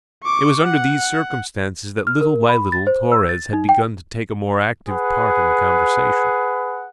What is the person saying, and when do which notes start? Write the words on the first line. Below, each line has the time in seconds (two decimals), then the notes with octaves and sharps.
It was under these circumstances that little by little Torres had begun to take a more active part in the conversation.
0.23 C#6 D6
0.64 F#5
2.07 F6
2.21 A#4
2.49 B5
2.72 A6
2.87 C5
3.12 E6
3.29 A6
3.53 D#4
3.69 G5
4.87 G#4 B4 F#5